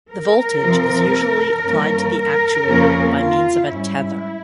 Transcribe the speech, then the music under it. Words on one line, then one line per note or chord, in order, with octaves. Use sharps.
The voltage is usually applied to the actuator by means of a 'tether'.
A#4
C3 F3 C4
G2 E3 A#3 C#4
A#4
F2 C#3 F3 A#3 C#4
F4
G#2 G3 C#4 E4